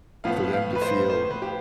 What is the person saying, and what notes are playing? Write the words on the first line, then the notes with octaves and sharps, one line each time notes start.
for them to feel,
A2 F3 B3 F5
F5
B4
C5
C5
B4
G4